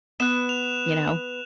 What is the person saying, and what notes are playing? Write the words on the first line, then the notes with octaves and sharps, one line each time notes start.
you know,
B3 F#6 E7
F7